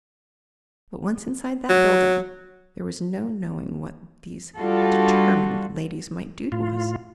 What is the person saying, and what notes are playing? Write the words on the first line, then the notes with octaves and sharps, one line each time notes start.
But once inside that building, there was no knowing what these determined ladies might do to us.
F#3
G3 D4 F4 F#4 A4
A2 F4